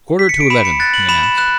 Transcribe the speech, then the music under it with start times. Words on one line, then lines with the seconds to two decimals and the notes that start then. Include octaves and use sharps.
"Quarter to eleven," he announced.
0.19 B6
0.29 C#7
0.40 D7
0.50 B5 E7
0.65 C#7
0.80 F#6 A6
0.94 F#7
1.09 B5 E7
1.23 E7
1.38 F#6 E7